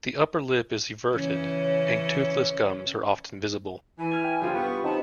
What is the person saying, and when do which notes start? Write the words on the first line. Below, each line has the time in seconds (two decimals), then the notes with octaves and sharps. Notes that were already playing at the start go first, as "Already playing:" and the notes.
The upper lip is everted and toothless gums are often visible.
1.13 C#3 E3 C#4
3.98 E3 G#5
4.11 F6 G#6
4.25 G5
4.41 F#2 D3 F3 F4 G4
4.54 G2 C3 B3 C#6
4.84 F#3 B3 C4 D#4 A5